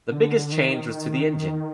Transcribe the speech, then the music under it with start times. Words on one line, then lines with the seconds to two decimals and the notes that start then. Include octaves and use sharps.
The biggest change was to the engine.
0.12 D3
0.52 D#3